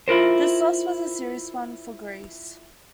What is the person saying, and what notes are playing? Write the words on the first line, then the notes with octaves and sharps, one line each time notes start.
This loss was a serious one for Greece.
E4 F4 A#4 C5